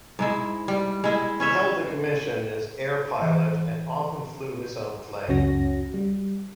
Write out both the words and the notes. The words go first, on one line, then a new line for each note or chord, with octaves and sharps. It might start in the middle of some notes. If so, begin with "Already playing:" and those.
He held a commission as Air Pilot and often flew his own plane.
G#2 G#3 E4
G3
G#3 E4
C#4 C#5 E5
E3
C#2 F#2 C#4 F#4 A#6
G3